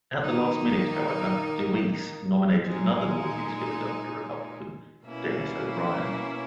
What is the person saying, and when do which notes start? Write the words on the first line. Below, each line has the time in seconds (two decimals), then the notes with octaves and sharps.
At the last minute, however, DeWeese nominated another Northeast Philadelphia Republican, Dennis O'Brien.
0.18 D#3 A#3 D#4
2.61 A#2 G#3 D#4
5.04 B2 A#3 C#4 E4